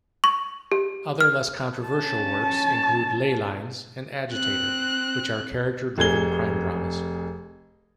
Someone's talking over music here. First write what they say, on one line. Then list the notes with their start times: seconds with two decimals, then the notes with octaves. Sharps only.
Other less controversial works include "Ley Lines" and "Agitator", which are character-driven crime dramas.
0.24 C#6
0.72 G4
1.20 F6
1.86 C#4 A5
4.33 C4 F#6
5.98 F1 G#4 G#6 G7